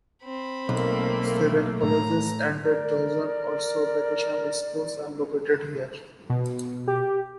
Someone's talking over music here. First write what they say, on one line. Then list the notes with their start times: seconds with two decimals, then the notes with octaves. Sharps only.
Seven colleges and a dozen or so vocational schools are located there.
0.23 C4 B5
0.69 B1 A3 A#3
1.83 A2 A#5
2.63 A#4 D5
6.30 B2
6.87 G4